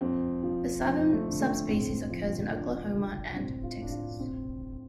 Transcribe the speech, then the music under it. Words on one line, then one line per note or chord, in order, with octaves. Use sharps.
The southern subspecies occurs in Oklahoma and Texas.
F2 C4
F3
F2 C4
A3
D3
A3
A2 C4
F3
F3 D4
G2
D4
A2 C4
F4
A2 D4
F4
C4